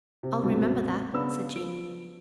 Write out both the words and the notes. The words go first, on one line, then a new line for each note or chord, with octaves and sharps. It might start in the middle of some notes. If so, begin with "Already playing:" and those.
"I'll remember that," said Jean.
C3
C#2 G2 B2 C4
C#3 B3 D4 B5 E6
F3 D7